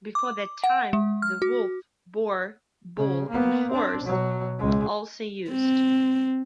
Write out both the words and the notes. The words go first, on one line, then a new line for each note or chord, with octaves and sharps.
Before that time, the wolf, boar, bull and horse were also used.
D6
F#5
G#3
F6
F#4
C#3
A#3 B3
C4 D4
B2 F#3
C#2 G#3
C4